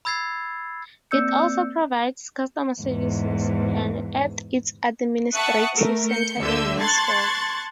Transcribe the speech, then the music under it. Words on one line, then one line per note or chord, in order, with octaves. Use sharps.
It also provides customer services at its administrative centre in Mansfield.
B5 E6 G#6 A6 C7
A#3 C4 D5 E6 G6 C#7
E2 G#2
E5 F#5 A5 C#6 D#6 F#6
A3 A#4
G6 C#7
D2 D3 E5 E6 G6
A5 C6 C#6 F#6 G#6 A6